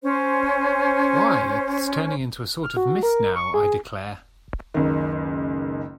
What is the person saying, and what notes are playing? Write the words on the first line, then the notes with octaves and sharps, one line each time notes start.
Why, it’s turning into a sort of mist now, I declare!
C#4 C5
F6
F#4
A#4
C#6
G#4
F#1 C#2 D#3